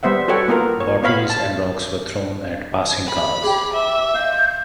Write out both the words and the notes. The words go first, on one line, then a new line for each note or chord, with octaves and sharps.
Bottles and rocks were thrown at passing cars.
G3 B3 C5 E5 F#5
F#4 A4 B4 C#5 F#5 G5
A#3 B3 F4 A#4
C#5
B3 C#5 F5 B5
A5
B5
G4 G#4 D6
E5
D#5 F5 G6